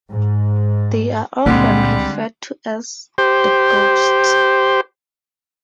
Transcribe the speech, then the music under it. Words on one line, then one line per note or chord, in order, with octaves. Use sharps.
They are often referred to as "the Ghosts".
G#2
C#2 A#2 D3 G3 G#3 C4
G4 C5